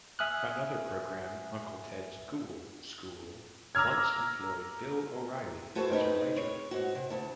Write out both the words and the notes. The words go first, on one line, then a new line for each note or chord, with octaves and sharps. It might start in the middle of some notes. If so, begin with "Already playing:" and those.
Another program, "Uncle Ted's Ghoul School", once employed Bill O'Reilly as a writer.
E5 G#5 D#6 F6 F#6
A#5 D6 E6 F6 G#6
A3 F#4 G#4 A4 B4 C5
C4 D#4 G#4 B4
C#5
G#2 F#4
C3
D2 A4